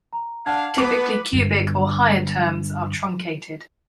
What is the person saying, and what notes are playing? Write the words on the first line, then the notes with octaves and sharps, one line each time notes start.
Typically cubic or higher terms are truncated.
A#5
D4 F5 F#5 A5 G#6
B3 B4 D6
G1 G2